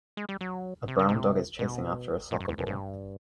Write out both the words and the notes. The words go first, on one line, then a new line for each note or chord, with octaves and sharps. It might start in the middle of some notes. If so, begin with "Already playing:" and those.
A brown dog is chasing after a soccer ball.
G#3
G3
F#3
C3
C#3
C3
B2
A#2
F#2
E2
F2
G2